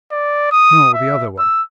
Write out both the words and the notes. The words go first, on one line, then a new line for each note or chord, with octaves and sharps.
"No, the other one."
D5
D#6
E5
E6